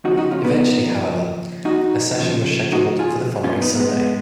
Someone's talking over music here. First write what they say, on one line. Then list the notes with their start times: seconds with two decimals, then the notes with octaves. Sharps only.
Eventually, however, a session was scheduled for the following Sunday.
0.04 D#2 C#3 F3 D#4 F#4
0.17 D#4 F#4
0.31 C#4 F4
0.45 B3 D#4
1.65 D#4 F#4
2.19 D#2 C#3 F3
2.72 D#4 F#4
2.99 F4 G#4
3.44 C#4 F4
3.62 B3 D#4
3.80 G#3 B3